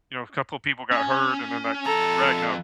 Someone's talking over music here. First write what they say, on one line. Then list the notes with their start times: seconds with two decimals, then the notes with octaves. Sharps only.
you know, a couple of people got hurt, and then that Ragnar,
0.92 C#4
1.86 F2 A4 A#5